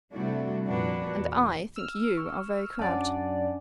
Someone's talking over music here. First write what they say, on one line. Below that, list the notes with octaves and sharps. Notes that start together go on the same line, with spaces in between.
"And I think you are very crabbed."
C3 G3 A3 D4 E4 F#4
F2 A#2 A#3 D4 F#4 B4
E2
E6 F6
C#6
F#2 C#4 D4 D5 F#5 G#5 A5